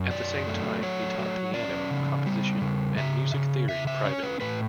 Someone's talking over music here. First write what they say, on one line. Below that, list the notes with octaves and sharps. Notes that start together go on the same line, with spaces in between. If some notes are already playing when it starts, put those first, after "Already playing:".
At the same time, he taught piano, composition and music theory privately.
Already playing: F#2
F#3 D5
A3
F#3 C#5
F#3
C#4 D5
C#3
G3
C#3
C#3 E5
C#3
C#3 E5
E5
C#4 C#5
B4
A2 B4